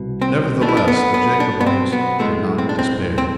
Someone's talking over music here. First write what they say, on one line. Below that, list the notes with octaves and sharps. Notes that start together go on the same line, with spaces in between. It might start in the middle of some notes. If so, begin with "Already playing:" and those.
Nevertheless, the Jacobites did not despair.
Already playing: C2 B2
C4
B1 B2 A3 D4
E4
D4
B3
B3
D4
B3
C4
B3
B1 A2 G#3 A3
C4
D4
C4
C4